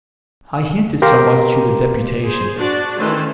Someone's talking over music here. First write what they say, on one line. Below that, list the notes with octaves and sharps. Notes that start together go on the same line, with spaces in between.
I hinted so much to the deputation.
G4 A#4 F5 A#5 C6 D6
G#4 C5
D4 F#4 D5
D#3 E3 A3 C#4 C5